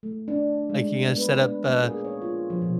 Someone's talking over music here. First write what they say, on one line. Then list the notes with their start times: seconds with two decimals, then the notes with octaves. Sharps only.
Like you're gonna set up, uh,
0.03 A3
0.28 D4
0.70 G#3
1.05 B3
1.18 B4
1.34 D4
1.69 A#3
1.84 G#4
2.05 C#5
2.22 F4
2.50 F3
2.62 B2